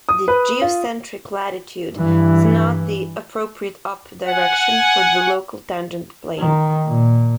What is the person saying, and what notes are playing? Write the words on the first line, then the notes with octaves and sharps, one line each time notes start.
The "geocentric" latitude is "not" the appropriate "up" direction for the local tangent plane.
D#6
B4
F4
G2 E3
F#5 G#5
D#3
A#2